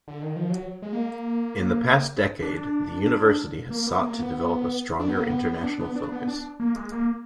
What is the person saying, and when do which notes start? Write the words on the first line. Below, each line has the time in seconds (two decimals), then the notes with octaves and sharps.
In the past decade, the university has sought to develop a stronger international focus.
0.08 D3
0.22 D#3
0.36 F3
0.50 F#3
0.82 G#3
0.93 A#3
2.42 D4
3.70 A#3
3.87 B3
4.03 A#3
4.19 B3
5.00 D4
5.08 B3
5.18 A#3
5.27 B3
5.53 B3
5.63 D4
5.80 B3
5.96 D4
6.12 B3
6.28 D4
6.60 A#3
6.75 G#3
6.92 A#3